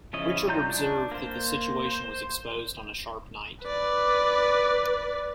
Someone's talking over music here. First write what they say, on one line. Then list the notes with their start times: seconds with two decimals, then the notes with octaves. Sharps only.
Richard observed that the situation was exposed on a sharp night.
0.13 C#3 F3 C#4 E4 D#5
0.48 G3 F4 A#5 G6
0.69 D4
1.12 A#3 C5
1.86 C5
3.64 B4 D5